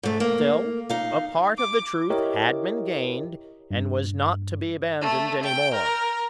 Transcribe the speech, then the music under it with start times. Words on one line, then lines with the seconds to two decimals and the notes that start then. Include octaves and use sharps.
Still, a part of the truth had been gained, and was not to be abandoned any more.
0.03 G#2 A3
0.20 A#3
0.89 D#4 F5
1.58 D6
2.10 E4 G4 A#4 C#5 D#5
3.71 G2
5.01 A3
5.43 G5
5.74 A#4